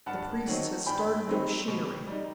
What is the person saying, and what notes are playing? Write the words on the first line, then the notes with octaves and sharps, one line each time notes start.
The priests had started the machinery.
G2 F#5 A5
D#3 F#3 C4 D#4
G2 G5 B5
D#3 F#3 C4 D#4
B2
G3 D#4